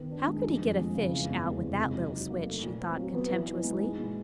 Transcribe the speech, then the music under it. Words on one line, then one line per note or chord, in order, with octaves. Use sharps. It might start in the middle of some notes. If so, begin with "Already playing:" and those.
How could he get a fish out with that little switch, she thought contemptuously?
Already playing: D#3 B3
D4
G#3
F3
F2
G#3
C#3
E3
E2
G#3
C3
D#4
F#3
F#3
A#3
A3
A#2
C4
F#3
B3
E3
D#4
G#3
G#3
A#2